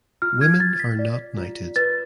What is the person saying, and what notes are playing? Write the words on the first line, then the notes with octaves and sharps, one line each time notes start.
Women are not knighted.
F4 F6
G#6
F4 A6
B6
D5
F4
B4 A6